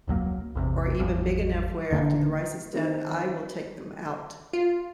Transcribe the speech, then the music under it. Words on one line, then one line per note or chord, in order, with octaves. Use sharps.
or even big enough where after the rice is done, I will take them out.
E1 C#2 F#3 A#3
A1 E2 C3
G#1 E2 F3 G3
D#1 D3 A#3 D4
D#3 C4 A#4
F4